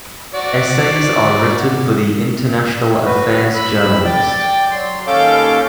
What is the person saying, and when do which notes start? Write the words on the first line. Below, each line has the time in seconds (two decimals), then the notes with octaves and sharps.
Essays are written for the international affairs generalist.
0.34 F#4 D5
3.05 F#4 B4
3.54 B5 E6
4.04 D5 G5
4.71 F#3 C6
5.07 D#2 C#4 A4 F5 D6 G6